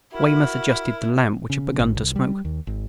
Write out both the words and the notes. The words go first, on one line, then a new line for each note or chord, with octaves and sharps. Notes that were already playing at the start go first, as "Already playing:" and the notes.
Weymouth adjusted the lamp which had begun to smoke.
E4 F#4 A#4 B5
C#3
G#1
C2
G3
D#2
G#1